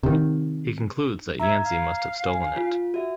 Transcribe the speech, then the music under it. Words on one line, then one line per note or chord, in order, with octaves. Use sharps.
He concludes that Yancy must have stolen it.
C3 D#3
E5 A#5 G#6
F5
G#5
F4
F#4 E5